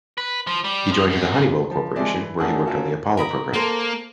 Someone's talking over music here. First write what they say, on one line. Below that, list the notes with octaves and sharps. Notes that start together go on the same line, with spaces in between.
He joined the Honeywell Corporation where he worked on the Apollo program.
B4
F3
G3
F3
F#2
F3
F3 G#3 C4 G#4 D5 E5
E3
A3 C#4 D4 G#4 A#4 F#5
A#3 C#4 F4 F#4 A4
A#4 B5 D#6
A#3 A4 C5 A#5